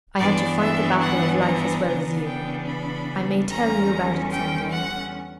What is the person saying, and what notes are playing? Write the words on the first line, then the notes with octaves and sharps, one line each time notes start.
I had to fight the battle of life as well as you. I may tell you about it some day.
G2 E3 B3 D4 D5
E5
F#5
A#5
C#3 E3 B3 D4
G5
B5
E2 D3 G3 C#4 A#5
G5
F#5